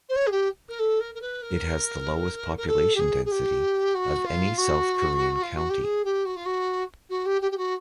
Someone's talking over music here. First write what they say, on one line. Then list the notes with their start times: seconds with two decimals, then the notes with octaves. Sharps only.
It has the lowest population density of any South Korean county.
0.09 C5
0.15 C#5
0.26 G#4
0.31 G4
0.68 A#4
0.79 A4
1.00 A#4
1.14 A#4
1.21 B4
1.42 A#4
2.57 A#4
2.68 A4
2.95 G4
2.99 G#4
3.25 G#4
3.31 G4
3.94 F#4
4.25 F4
4.57 F#4
5.42 F4
5.56 F#4
5.69 G4
5.83 G#4
6.04 G4
6.25 F#4
6.36 F4
6.45 F#4
7.09 F#4
7.25 G4
7.41 G4
7.51 G4
7.57 F#4